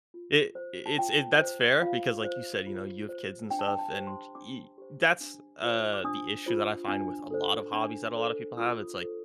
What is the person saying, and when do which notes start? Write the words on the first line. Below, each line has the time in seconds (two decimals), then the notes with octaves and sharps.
it it it's it that's fair because, like you said, you know, you have kids and stuff, and e that's, uh, the issue that I find with a lot of hobbies that a lot of people have. It's like,
0.14 F4
0.55 C5
0.86 A5
0.98 F4 G5
1.40 C5
1.82 F4 F5
2.24 C5
2.67 F4
3.09 C5
3.50 D4 G5
3.59 A5
3.68 G5
3.79 A5
3.93 G4 C5
4.07 C6
4.35 D4 D6
4.78 G4 C5
5.21 D4
5.62 F4 C5
5.94 D6
6.04 D4 D#6
6.46 F4 C5
6.88 D4
7.31 A4 C5
7.73 D4
8.15 A4 C5
8.57 F4 D#6
9.00 A4 C5